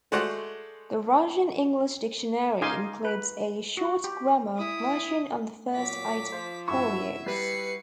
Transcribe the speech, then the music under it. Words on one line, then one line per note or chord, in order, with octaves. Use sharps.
The Russian-English dictionary includes a short grammar of Russian on the first eight folios.
G#3 A3 F#4 C5 D5 F#5
D#4 G#4 F5 G#5 C6 D6
B4
F#4
G4
E4 D#6
A#2 F#3 D6 B6
F3 C5
G2 E4 F#4 E5 C#6
G3 B4 C7 C#7